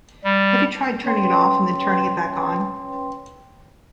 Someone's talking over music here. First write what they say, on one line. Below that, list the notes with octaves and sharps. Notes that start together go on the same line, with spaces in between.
Have you tried turning it off and then turning it back on?
G3
C#4 B4 C#5 G5 C6